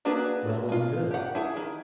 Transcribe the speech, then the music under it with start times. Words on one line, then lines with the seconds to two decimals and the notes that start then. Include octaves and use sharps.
Well and good.
0.05 A#3 D4 F#4 G#4 B4
0.69 G#3 F4
1.11 G4 F#5
1.35 E4 G#4
1.57 D#3